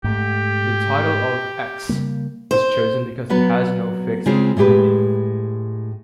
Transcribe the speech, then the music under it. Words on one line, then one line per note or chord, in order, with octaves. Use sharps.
The title of "X" was chosen because it has no fixed meaning.
G#2 A3 G4
C#3 G3 A#3
C5
F#3 B3 B4
C#3 G#3 C4 F4 A#4 C5
A2 G#3 G4 B4